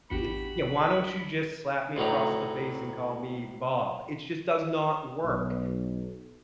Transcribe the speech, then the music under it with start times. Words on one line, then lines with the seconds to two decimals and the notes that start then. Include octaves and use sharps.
it's "Yeah, why don't you just slap me across the face and call me Bob?" It just does not work.
0.10 A1 E2 D4 F#4 G4 B5 C#7
1.96 D2 A2 F#3 D#4
5.23 B1